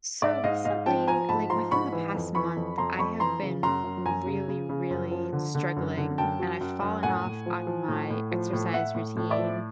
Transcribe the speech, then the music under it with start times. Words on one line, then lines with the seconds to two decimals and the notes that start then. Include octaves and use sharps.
So, recently, like, within the past month, I have been really, really struggling, and I've fallen off on my exercise routine.
0.22 G#2 D5 E5
0.44 G#2 D#5 F5
0.65 G#2 D#5 F5
0.86 F3 G5 A5
1.07 F3 G#5 A#5
1.29 G#2 A5 B5
1.50 F3 A#5 C6
1.71 G#2 B5 C#6
1.93 E3
2.14 F2
2.35 E3 B5 C#6
2.56 F2
2.78 F2 A#5 C6
2.99 F2 B5 C#6
3.20 E3 A#5 C6
3.42 C#3
3.63 F#2 A#5 C6
3.84 F#2
4.06 F#2 G#5 A#5
4.26 C#3
4.48 C#3
4.69 C#3
4.90 F#2
5.11 F3
5.33 D3
5.55 D3
5.76 F#2
5.97 D3
6.18 F#2 G5 A5
6.40 F#3
6.61 F#2
6.82 F#2
7.03 A2 F#5 G#5
7.25 A2
7.46 F3
7.67 F3
7.88 A2
8.10 A2
8.31 F3
8.53 A2
8.74 A2 E5 F#5
8.95 A2
9.16 A2
9.30 D5 E5
9.38 F3